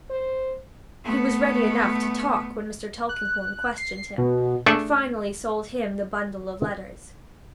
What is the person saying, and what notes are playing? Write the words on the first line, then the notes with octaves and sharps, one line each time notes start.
He was ready enough to talk when Mr. Tulkinghorn questioned him, and finally sold him the bundle of letters.
C5
A3 B3
F#6
C7
B2
A3 D4 G#4 A4 D5 E5